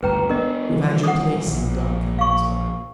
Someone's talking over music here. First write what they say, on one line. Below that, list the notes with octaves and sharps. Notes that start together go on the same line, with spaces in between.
You have had your place in the dog-kennel as well.
D2 G2 B4 G5 A#5
B3 D4 A#4 D#5
D#3 E3 G3
F#5 D#6
A#1
F5 C#6